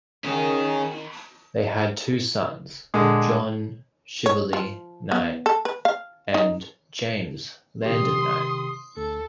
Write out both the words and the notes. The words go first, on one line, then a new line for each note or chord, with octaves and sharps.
They had two sons, John Shively Knight and James Landon Knight.
D#3 C#4 G#4
A#2 D3 G#3
C#5
F3
B3
A4
B4
F5
D#4
C3 D#3 G4 C6 D#6
D2 A4